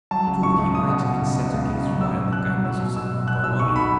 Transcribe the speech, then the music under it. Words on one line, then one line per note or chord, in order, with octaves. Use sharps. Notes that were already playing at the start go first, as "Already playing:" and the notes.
True, he might in such a case rely on the kindness of Signor Torlonia.
F#3 A5
C#2
C#2 C#6
C#2
C#2 D#6
B2
B2
C#2
C#2
C#2
C#2
F#3
C#2 E6
B2
B2 F#6
F#3
F#3 E6
B2
B2 E6
B2
B2 F#6
B2 E6
B1 C#6
B2 B5